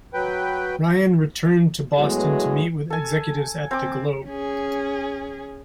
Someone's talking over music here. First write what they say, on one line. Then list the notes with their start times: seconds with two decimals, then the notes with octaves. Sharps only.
Ryan returned to Boston to meet with executives at the "Globe".
0.14 F#3 B4 G5
1.98 E2 A2 F#3 G#3 B3
2.90 A4 G#5
3.71 C4 D6
4.26 C#4 G#4